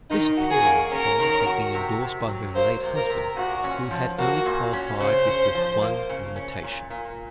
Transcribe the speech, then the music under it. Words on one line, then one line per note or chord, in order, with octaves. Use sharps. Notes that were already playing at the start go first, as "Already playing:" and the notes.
This opinion of him had been endorsed by her late husband, who had only qualified it with one limitation.
D#3 D#4
F#4
G#4
A#3
C#4 A#4
D#3
F#4
C3
C3
F#3
A#3 C5
C3
A#4
C3
A#2 F#4
C#4
F3
A#3 F#4
A#2
C#4
C#3 C5
C#4
F3
A#3
C#3
C#4
A#2
A#2